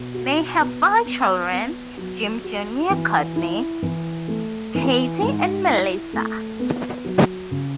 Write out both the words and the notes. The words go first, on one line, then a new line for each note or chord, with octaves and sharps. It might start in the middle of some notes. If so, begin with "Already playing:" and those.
They have four children, Jim Junior Courtney, Katie and Melissa.
Already playing: B2
F#4
B3
B3
B3
F#3
F#4
E3
E4
E3
A3
E3
G#2
E4
A3
B3
F#3
C#3